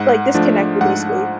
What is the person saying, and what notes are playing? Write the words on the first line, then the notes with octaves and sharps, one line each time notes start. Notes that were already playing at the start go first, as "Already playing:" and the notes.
like, disconnected, basically.
Already playing: G#2 F#5
F3 A3 D4
G#2 F#5